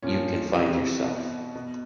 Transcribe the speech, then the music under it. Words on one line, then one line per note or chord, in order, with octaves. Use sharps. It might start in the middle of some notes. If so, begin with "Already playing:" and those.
You can find yourself.
A#2 F3 C#4
C3 E3
B2
B2